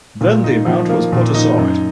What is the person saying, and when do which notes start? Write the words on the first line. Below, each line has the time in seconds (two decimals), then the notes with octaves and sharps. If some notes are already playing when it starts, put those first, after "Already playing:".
Then the amount was put aside.
0.21 A#2
0.44 D#4
0.66 F3
0.89 A#3
1.12 A#2
1.34 D#4
1.58 F#2